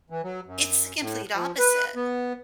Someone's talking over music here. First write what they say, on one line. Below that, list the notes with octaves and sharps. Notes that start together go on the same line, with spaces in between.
It's the complete opposite.
E3
F#3
F#2
A2
F3
B4
B3